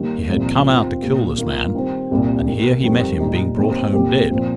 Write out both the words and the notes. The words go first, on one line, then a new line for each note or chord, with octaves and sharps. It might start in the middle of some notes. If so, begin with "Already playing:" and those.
He had come out to kill this man, and here he met him being brought home dead.
Already playing: D#2 D#3 G3 A#3
C2 A#2 F3 D#4
D#3 C4 F4
A#2 A#3 G4
D#3 A#3 F4
D#3 G3 C4
C2 A#2 A#3 G4
D#3 A#3 G4
F2 D#3 G3
A#2 G3 D#4 G4
D#2 D#3 C4
C2 A#2 A#3 G4
A#2 F3 C4